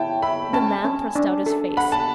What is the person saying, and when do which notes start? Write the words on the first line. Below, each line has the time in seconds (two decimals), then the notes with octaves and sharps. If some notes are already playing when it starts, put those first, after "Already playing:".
The man thrust out his face.
Already playing: E4 C#5 G5 A5
0.22 E5 B5
0.53 C#4 A5
0.85 C#4
1.15 D4
1.46 A4
1.77 F#5 B5
1.92 A5